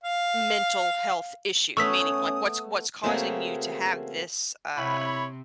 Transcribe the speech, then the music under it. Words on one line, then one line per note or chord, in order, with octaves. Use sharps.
mental health issue? Meaning, like, what's what's causing you to have this, uh
F5
A3 B3 C#4 C#5 C#6 D#6 E6 B6
C#3 A3 A#3 C4 F#4 G#4
C3 C4 E4 C#5 B5